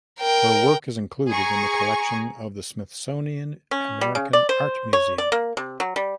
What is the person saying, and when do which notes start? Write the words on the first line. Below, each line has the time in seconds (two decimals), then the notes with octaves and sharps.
Her work is included in the collection of the Smithsonian American Art Museum.
0.19 A#4 G5
1.30 G#4 G#5 A#5 C#6
3.71 C#4
4.01 G3
4.15 C#3
4.33 D5
4.49 C5
4.93 C#5
5.18 D5
5.32 A#3
5.57 C3
5.80 F#3
5.96 G3